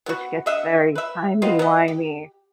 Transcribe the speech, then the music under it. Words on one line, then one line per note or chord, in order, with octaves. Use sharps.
which gets very timey-wimey.
B3 F#4
D3 D#5 E5 F#5
B4 E5
B3 C4 F4 D#5
B3 D#5
G4